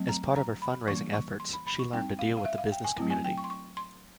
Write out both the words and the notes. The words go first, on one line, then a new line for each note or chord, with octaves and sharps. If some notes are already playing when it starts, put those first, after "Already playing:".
As part of her fundraising efforts, she learned to deal with the business community.
Already playing: F#3 A3 C4
A#5
A#5
B5
E3 G3 A#3 D4 C#6
C#6
C6
B5
B5
C#6
G3 C4 D#4 G5
F5
F5
E5
F5
G5
G#5
F#3 A3 C4 E4
G#5
G5
C#6
C6
C#6
C6